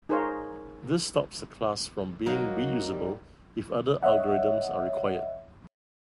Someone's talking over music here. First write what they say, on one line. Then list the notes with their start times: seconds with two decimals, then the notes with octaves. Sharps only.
This stops the class from being reusable if other algorithms are required.
0.09 D#4 G#4 A#4 C5 C#5 F5
2.26 F#3 A#3 D#4 F#4
2.92 G3
4.03 C#5 D#5 E5 F#5